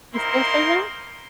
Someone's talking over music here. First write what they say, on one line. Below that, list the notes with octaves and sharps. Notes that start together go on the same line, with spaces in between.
they still say that?
A#3 C4 D#4 E4 A#4 C6